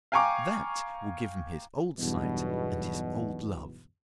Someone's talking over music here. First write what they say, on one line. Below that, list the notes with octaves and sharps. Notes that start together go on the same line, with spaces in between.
That will give him his old sight and his old love.
F5 G5 G#5 A#5 C#6 D6
B1 E2 G2 B2